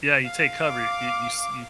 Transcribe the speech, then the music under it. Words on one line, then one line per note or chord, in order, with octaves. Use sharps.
Yeah, you take cover. You you s y
F5
D6